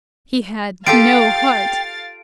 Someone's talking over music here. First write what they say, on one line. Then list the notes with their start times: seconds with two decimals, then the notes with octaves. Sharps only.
He had no heart.
0.87 F4 G4 A4 F5 G5 A6 D7